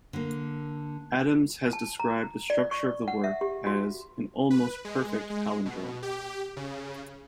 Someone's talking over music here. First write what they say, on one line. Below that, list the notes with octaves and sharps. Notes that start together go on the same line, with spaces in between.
Adams has described the structure of the work as an "almost perfect palindrome".
D3 A#3
A5
A#5
D5
C#6
F#5
E5
G4
F#4
B4
G#3
G#3
B2
G4
C#3